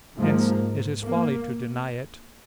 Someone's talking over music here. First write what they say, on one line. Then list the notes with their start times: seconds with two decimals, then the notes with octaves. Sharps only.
Hence it is folly to deny it.
0.17 G#2 F3 A#3
1.06 A#3